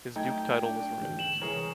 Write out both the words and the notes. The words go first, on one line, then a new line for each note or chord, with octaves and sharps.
His duke title was removed.
F#3 A3 D#4 G5 G6 G#6
D4
E2 G#2 D3
E7 F#7
C2 E3 G#4 A#4 C#5